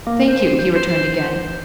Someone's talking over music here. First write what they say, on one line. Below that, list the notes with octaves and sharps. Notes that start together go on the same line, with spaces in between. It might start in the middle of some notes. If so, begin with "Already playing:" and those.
"Thank you," he returned again.
A#3
C5
C5